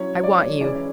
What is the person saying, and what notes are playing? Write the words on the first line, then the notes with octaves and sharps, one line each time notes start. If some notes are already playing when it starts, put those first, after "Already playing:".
I want you.
Already playing: F#3 C#4 E4 C#5
D5
E3 G#3 C#4 E4 D5